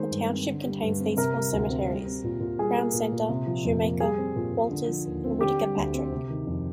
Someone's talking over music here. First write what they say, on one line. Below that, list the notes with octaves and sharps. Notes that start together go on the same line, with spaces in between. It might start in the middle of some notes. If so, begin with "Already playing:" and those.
The township contains these four cemeteries: Crown Center, Shumaker, Walters and Whitaker-Patrick.
Already playing: D#3 G#3 C5
G2
C4
D3
G3
G2
C4
C3 A#4
G3
D2
C4
G3
C4
A#2
A#2
G3 G#4
A#3
A#2
A#2
C3
F3
F2
A#3
G3 G#4
C4
A#2
A#2
D3
F3
D#2
C4
D3 G4
G3
D2
C4
C3
D#3
F2